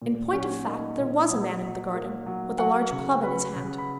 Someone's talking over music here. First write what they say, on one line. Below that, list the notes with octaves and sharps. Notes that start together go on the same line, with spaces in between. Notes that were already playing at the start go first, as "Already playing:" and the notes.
In point of fact, there was a man in the garden, with a large club in his hand.
A#2
F#3 C#4 C#5
A#3 D#4 D#5
A#2
F#3
F#3
A#3
F#3
F#3 F#4 F#5
C#3
F#3 B4 B5
C#3
B5